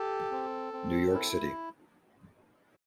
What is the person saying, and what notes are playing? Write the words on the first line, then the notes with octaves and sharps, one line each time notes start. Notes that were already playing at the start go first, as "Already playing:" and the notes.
New York City.
Already playing: G4 A4
C4
C4
E4